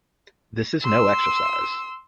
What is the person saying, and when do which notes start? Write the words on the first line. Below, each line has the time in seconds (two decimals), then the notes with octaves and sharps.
This is no exercise.
0.82 C6 E6